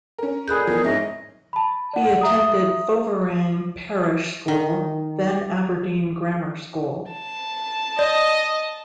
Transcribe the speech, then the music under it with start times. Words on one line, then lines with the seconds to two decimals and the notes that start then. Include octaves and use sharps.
He attended Foveran Parish School then Aberdeen Grammar School.
0.18 C#4 A#4
0.48 F2 A#2 G#4 B5 F#6 G6
0.67 E2 F3 A#4
0.85 G#2 G#3 C#4 D#5 E5
1.53 A5 B5
1.93 D5 F#5
2.21 E5 A#5 D#6
4.48 D#3
7.11 A5
7.99 D5 D#5